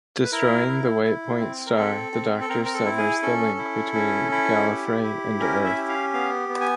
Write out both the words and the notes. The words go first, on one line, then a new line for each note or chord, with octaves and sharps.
Destroying the White Point Star, the Doctor severs the link between Gallifrey and Earth.
B4
E4 A#4
E4
E4
C4
A#4
C4 A4
C4
A4
C4 A#4
A#4
A4
E4
G#4
C#4 A4
E4
C#4
E4
G4
E4
C#4 A#4
E5
G4
F5
B3 F5
B3
G#5